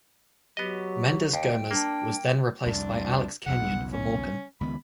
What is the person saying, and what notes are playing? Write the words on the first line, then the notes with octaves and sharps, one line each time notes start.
Mendes Gomes was then replaced by Alex Kenyon for Morecambe.
F#3 B3 G4 D#5
D#2 G5
A#3 D4
C2 F2 D4
B1 E2 C#3 F#5
C#4
C#2 D#3 B3 B5